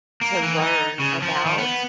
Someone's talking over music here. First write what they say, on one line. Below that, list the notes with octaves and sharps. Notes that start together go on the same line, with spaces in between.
to learn about
A#3
E3
D#4
C#3
F3
D#3
B3